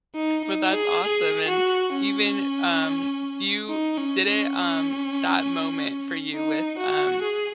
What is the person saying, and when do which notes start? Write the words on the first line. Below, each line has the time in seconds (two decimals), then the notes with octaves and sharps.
But that's awesome and even, um, do you did it, um, that moment for you with, um,
0.15 D#4
0.44 D#4
0.74 G#4
1.03 G#4
1.48 F#4
1.92 C#4
3.68 D#4
3.97 C#4
4.27 C#4
4.57 C#4
6.33 D#4
6.78 F#4
7.22 G#4